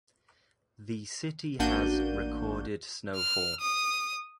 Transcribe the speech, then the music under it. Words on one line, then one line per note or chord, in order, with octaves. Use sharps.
The city has "recorded" snowfall.
A1 A#3 D4 F#4 G6 D#7
F6
D#6